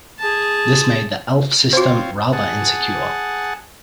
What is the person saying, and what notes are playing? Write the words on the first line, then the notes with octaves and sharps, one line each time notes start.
This made the Aleph system rather insecure.
G#4 A5
C4 F4 F#4 C5 C#5
G#4 F#5 A5